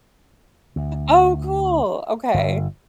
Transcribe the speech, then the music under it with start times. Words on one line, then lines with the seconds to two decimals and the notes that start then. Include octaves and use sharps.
Oh, cool. Okay.
0.76 D2
2.34 G1